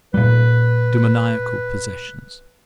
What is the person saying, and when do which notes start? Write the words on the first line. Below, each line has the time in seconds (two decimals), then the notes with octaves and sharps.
Demoniacal possessions.
0.14 A#2 G3 B4